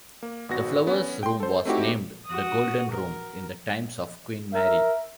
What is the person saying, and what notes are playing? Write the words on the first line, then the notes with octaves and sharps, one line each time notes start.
The Flowers' Room was named the Golden Room in the times of Queen Marie.
A#3
G#1 B3 F#4 A#6
B3 C#4
G5 C6
A4 C5
A3 C4 D#4 E4 F#4 G4
F#4 D#6
A#4
A#4 E5